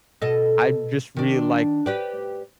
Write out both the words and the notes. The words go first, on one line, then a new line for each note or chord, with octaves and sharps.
I just really like
B2 A4 D#5
D#3 D4
G4 B4 D5